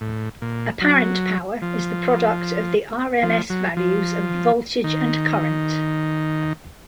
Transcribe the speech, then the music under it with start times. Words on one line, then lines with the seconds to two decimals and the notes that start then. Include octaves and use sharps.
Apparent power is the product of the rms values of voltage and current.
0.01 A2
0.42 A#2
0.82 F#3
1.62 F3
3.23 F3
3.50 F#3
3.77 F3
4.84 D#3